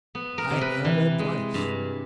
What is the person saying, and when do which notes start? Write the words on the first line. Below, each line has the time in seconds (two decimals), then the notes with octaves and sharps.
I have advice.
0.15 B3
0.38 A#4
0.50 C3
0.61 B4
0.85 E3
1.19 G#3
1.54 G2